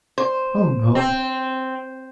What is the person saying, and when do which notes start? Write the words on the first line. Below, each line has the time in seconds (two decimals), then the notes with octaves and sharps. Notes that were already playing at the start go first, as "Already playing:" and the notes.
"Oh no."
0.18 C5
0.95 C4